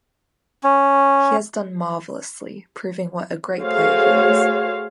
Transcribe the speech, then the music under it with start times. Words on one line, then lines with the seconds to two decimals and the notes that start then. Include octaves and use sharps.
He has done marvellously, proving what a great player he is.
0.64 C#4
3.60 A3 F#4 G#4 C5 C#5 F5